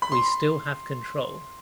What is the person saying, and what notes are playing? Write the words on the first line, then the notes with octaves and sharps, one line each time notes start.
We still have control.
B5
C6